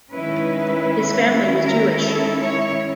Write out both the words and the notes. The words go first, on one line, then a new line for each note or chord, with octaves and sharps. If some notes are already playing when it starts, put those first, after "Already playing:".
His family was Jewish.
D#3 G#3 C#4 E4 B4
A#4
A4
C#5